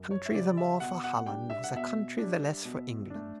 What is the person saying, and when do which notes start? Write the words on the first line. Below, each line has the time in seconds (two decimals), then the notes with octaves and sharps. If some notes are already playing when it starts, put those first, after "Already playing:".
A country the more for Holland was a country the less for England.
Already playing: F#2
0.11 C#5
0.26 E5
0.34 C#3 G3 D5
0.57 E5
0.80 B2 F#5
1.04 F#5
1.17 F#5
1.26 G3 D4 G5
1.50 E5
1.64 F#5
1.73 B2 E5
2.18 G3 D4
2.65 B2
3.10 A3 D4